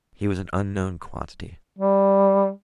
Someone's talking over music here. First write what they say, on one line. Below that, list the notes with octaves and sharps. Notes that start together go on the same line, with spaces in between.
He was an unknown quantity.
G3